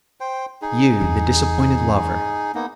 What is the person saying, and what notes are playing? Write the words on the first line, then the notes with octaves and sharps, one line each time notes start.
'You, the disappointed lover?
C5 G5
D#4 G#4
E2
A#3 B3 D#4